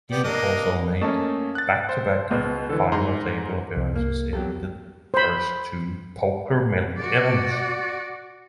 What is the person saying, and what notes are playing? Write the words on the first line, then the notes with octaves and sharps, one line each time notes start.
He also made back-to-back final table appearances in the first two Poker Million events.
B3 G4 D5
A#3 D4 D#5
A3 A#3 C#4 D#5 A5 C#6
F#6 A6
C5
C#2 B2
D3 E3 A4
G#2 A#5 C6
C2
A#3
F#3 G4 A4
C5 B5
F#4 D5